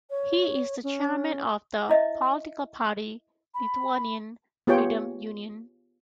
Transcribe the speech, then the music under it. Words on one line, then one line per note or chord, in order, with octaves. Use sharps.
He is the Chairman of the political party Lithuanian Freedom Union.
C#5
C#4
E4 D#5 E5
B5
B3 F4 G4 G#4 C#5 G5